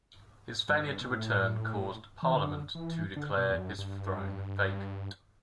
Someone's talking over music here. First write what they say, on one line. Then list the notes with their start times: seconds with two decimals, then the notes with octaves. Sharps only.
His failure to return caused Parliament to declare his throne vacant.
0.69 G2
1.01 B2
1.10 A2
2.23 E3
2.34 D3
2.75 E3
3.16 D3
3.37 B2
3.51 E2
3.58 F#2
3.78 G2